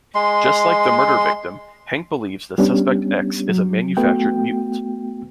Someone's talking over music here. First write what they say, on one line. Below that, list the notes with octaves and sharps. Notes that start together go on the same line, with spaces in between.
Just like the murder victim, Hank believes that Suspect X is a manufactured mutant.
G#3 C6
G3 B3 C#4 D4 G4
F#3
A3 B3 F#4 G5